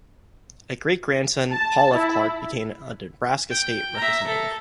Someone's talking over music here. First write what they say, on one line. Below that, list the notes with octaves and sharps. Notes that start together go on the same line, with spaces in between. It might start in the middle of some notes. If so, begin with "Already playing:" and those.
A great-grandson, Paul F. Clark, became a Nebraska State Representative.
A5
E4
G5
E5 A#5
A4